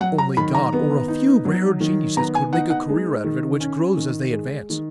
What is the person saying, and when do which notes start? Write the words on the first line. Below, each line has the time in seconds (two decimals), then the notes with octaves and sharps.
Only God or a few rare geniuses could make a career out of it which grows as they advance.
0.01 F#3 F#5
0.18 A#5
0.37 D#3 B5
0.55 A#5
0.72 B3
1.08 D#4
1.45 F#3
1.80 D#3
2.16 B3 A#5
2.35 G#5
2.53 D#4 F#5
2.70 F#5
2.89 G#3
3.24 D#3
3.60 C#4
3.97 D#3
4.32 G#3
4.70 D#3